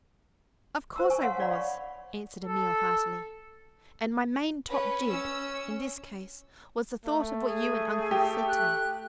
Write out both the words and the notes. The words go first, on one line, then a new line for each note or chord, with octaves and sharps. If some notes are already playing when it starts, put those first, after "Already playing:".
'Of course I was!' answered Emil heartily; 'and my "main-top jib" in this case was the thought of what you and Uncle said to me.
C5 A#5 E6
G#5 C#6
C#5 F5 F#5 C6
C#5 D5 F5 F#5 B5
B5 C#6
A4
C#4 B4
C#4 E6
A3
G#4
G4
F#6